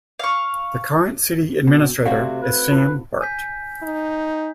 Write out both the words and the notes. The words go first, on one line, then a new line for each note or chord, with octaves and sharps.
The current City Administrator is Sam Burt.
F5 C#6
B2
C3 A3 C4 F#4 D5 F5 F#5
B4
E4 F4
G#5 G6 B6
D#4